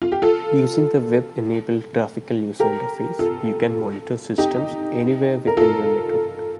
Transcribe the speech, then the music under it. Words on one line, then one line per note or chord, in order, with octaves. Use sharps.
Using the web-enabled graphical user interface, you can monitor systems anywhere within your network.
F4
G4
F4 A4
G4 A#4
F4 A4
D#4 G4
A#4
F4 A4